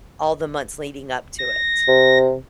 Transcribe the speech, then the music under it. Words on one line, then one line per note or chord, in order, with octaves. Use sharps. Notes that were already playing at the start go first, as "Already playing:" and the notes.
all the months leading up to it.
A#6
C3